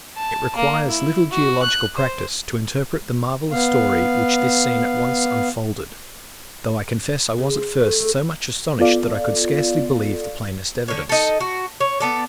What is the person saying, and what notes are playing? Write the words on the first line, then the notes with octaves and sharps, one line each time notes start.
It required little geological practice to interpret the marvellous story which this scene at once unfolded; though I confess I was at first so much astonished that I could scarcely believe the plainest evidence.
A5
A#3
E4
F#4
F#6
C5
B3 F5
C#3
C5
A3
A3
B3 F4 A4 D5 F5
D3 C#5
D#4 A4
F#4
C#5
B3 A4 D5